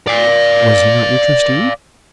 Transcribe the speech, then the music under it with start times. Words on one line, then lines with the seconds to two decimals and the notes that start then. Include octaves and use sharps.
'Was he not your trustee?'
0.08 D5 F5